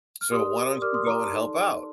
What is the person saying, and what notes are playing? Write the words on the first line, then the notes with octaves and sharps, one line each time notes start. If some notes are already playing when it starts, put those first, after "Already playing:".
so, why don't you go and help out?"
F6
G4 A#4 D5 C6 D#6
G4 A#4 D5 D6 F6
C6 D#6
A#5 D6
A5 C6
D#4 A4 D5